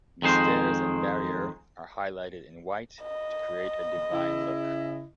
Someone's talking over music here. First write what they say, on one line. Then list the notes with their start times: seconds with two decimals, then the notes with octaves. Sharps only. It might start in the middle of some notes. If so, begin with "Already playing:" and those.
The stairs and barrier are highlighted in white, to create a divine look.
0.22 F2 D#3 G#3 C5
3.03 D#5
4.12 C#3 E4